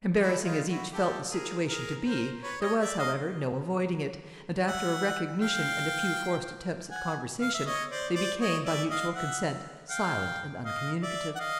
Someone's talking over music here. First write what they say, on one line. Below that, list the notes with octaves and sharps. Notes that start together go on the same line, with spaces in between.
Embarrassing as each felt the situation to be, there was, however, no avoiding it, and, after a recognition and a few forced attempts at conversation, they became, by mutual consent, silent and uncommunicative.
D4 E4
D#4 F4
E4 F#4
G4 A4
G#4 A#4
G#4 A#4
A#4 C5
B4 C#5
C#5 D#5
D5 E5
D#5 F5
E5 F#5
F5 G5
F#5 G#5
F5
E5
C#5 D#5
C5 D5
C5 D5
C#5 D#5
D5 E5
D#5 F5
E5 F#5
F5 G5
D#5 F5
D5 E5
F#5
D#5 F5